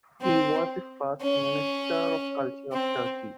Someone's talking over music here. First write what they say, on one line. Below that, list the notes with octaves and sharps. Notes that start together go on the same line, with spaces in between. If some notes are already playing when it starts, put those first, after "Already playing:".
He was the first Minister of Culture of Turkey.
C4
C#4
C4